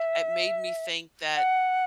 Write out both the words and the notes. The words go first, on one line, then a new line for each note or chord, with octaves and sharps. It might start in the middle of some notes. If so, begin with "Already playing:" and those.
It made me think that,
Already playing: E5
F#5